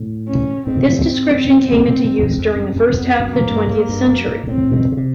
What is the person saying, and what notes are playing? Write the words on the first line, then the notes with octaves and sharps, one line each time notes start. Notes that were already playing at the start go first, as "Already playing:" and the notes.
This description came into use during the first half of the twentieth century.
Already playing: A2
C#4
G#2 C4
E2
F#2
F2
F#2
F#2
F2 B3
F#2
A#3
G2
G#2 A#3
G2
F#2
G#2
A2 C4
B2
C#3
C3